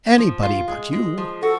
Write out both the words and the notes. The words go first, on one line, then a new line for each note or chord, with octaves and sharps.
Anybody but you.
F3
F4
G#3
G#3
F3
F#4 A4